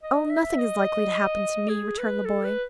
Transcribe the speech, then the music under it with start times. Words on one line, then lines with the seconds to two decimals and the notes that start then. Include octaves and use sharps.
'Oh, nothing is likely to happen to me,' returned the boy.
0.03 D#5
0.30 E5
0.59 D#5
1.69 G#4
1.98 B4
2.25 A4
2.44 B4